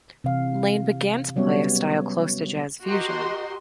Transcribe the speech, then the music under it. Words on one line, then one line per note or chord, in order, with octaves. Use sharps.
Lane began to play a style close to jazz fusion.
C3 E3 F5
F#3 G3 B3 C#4 C#5 E5
F#4 G4 A#4 D#5 C6